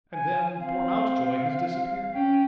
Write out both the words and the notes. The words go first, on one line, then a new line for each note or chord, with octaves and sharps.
And then poor Mountjoy has disappeared.
G#5
C4 F5
C#4 G5